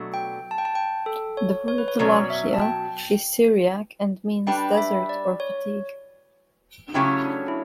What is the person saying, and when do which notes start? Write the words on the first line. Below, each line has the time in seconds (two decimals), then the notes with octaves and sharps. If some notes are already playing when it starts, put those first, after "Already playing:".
The word "Lahia" is Syriac and means "desert" or "fatigue".
Already playing: B2 F#3 A3 D4 F#4
0.14 G5
0.51 A5
0.58 G5
0.65 A5
0.75 G5
1.06 A4
1.37 C#5
1.68 C#5
1.78 B4
1.88 C#5
1.99 B2 F#3 C#4 D5
2.30 E5
2.54 A5
2.61 G5
4.47 G3 D4 G4 B4 G5
4.77 E5
5.09 D5
5.40 C#5
6.94 C#3 F#3 A3 C#4 E4 G4
7.25 D4
7.48 E4